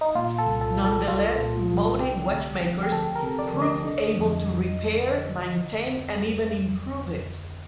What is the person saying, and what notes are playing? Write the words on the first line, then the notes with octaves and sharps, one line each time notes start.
Nonetheless, Motie Watchmakers proved able to repair, maintain, and even "improve" it.
D#4
A#2 F4
A4
C2
A4
G3
A4
C2 F4
A#2
C2
C3 G4
D2
F3
G4
D2 A4
A#4
C3
D5
D2
D#5
D3
F2